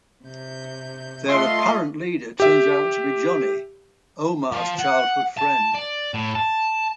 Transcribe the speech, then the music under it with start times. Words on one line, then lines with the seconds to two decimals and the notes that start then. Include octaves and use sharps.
Their apparent leader turns out to be Johnny, Omar's childhood friend.
0.24 C3 G6
1.28 A3 F4 D#5 E5 C6
2.40 G4 E5
4.52 F3
4.80 F#5
5.39 A5
5.75 D5
6.14 A2
6.35 A5